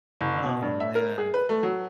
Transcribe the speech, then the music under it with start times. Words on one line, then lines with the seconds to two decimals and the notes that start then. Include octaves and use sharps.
Oh, man.
0.21 F#1
0.44 B2
0.62 G2
0.80 E5
0.95 A#4
1.18 G#4
1.34 B4
1.49 A3
1.63 F#3